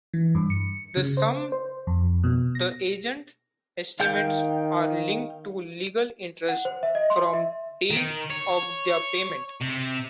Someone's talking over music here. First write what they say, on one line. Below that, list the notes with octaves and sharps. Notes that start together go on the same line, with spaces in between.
The sum the agent estimates are linked to legal interests from the day of their payment.
E3
G2
C#7
C#3
C5
C5
F2
B2
A#6
D#3 F5 G5 G6
F#5
C5
E5
D#5
C6
E5
D#3
C#5
C3